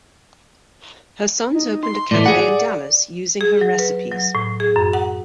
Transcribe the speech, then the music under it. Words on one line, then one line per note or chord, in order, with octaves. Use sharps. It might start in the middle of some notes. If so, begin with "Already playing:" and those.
Her sons opened a cafe in Dallas using her recipes.
D#4
C6
A2 E3 D5
G#4 F#5
G#4
F#3
B4
F#3
A2
G#4
F#2
F#5